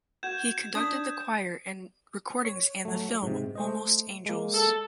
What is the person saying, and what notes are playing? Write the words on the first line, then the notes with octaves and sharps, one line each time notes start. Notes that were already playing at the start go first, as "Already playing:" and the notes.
He conducted the choir in recordings and the film "Almost Angels".
F#4 F#5 G6 G#6 E7
D4 D#6 B6
C#5
F#3 A3
G#2 C3
A3 C5 D#5
G#3 A#3
A4